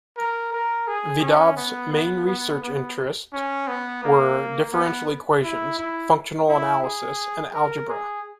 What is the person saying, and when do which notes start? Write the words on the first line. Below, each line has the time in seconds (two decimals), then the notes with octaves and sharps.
Vidav's main research interest were differential equations, functional analysis and algebra.
0.17 A#4
0.52 A#4
0.87 G#4
1.21 C#4
1.57 B3
1.93 B3
2.27 B3
2.63 B3
3.33 C#4
3.68 B3
4.03 A#3
4.73 B3
5.43 E4
5.78 E4
6.48 E4
6.83 G#4
7.54 A#4
7.89 G#4